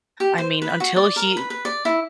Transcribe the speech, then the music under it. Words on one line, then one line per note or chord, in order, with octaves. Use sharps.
I mean, until he,
G4
C5
B4
F#4
D5
A#4
B4
B4
D5
E4